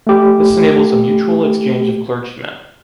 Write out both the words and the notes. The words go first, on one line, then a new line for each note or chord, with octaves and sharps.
This enables a mutual exchange of clergymen.
A3 G4